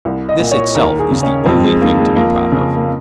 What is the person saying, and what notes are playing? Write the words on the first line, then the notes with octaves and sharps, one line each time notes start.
This itself is the only thing to be proud of.
C2
D#5
A#2
C#5
D#2 A#4
G#4
C#3
C#4
F2 C4
G#3
D#3 A#3
G#3
F2 A#3
C#3
A#3